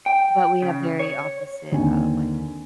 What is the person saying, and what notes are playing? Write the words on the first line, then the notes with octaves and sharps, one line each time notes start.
but we have very opposite, uh, like,
G5
C#3
C#5
D#2 D3 C4 G#5